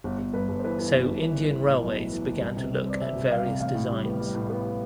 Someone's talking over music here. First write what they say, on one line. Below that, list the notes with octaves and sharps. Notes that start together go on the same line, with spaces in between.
So Indian Railways began to look at various designs.
G1
G1
G2 B4
G1
C5
E3 B4
E3
G1
G1
E3
E3
E3
A2
B1
E3
E3
E3
C2
C3
G3
C4 D5
G3 E5
C2
G3 F5
C3
A1 F5
A2
G3
B3
G3
A2
B3